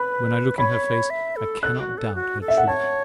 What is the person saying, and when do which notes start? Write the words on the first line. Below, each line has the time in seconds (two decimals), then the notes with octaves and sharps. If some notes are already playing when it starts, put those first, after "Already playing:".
When I look in her face, I cannot doubt her truth!
Already playing: B4 B5
0.58 C#5 B5
1.10 E5
1.36 A4
1.63 A4 F#6
1.80 F#4
1.98 A4
2.15 F#4
2.41 A4
2.48 E5
2.57 F#5
2.67 C#5 A5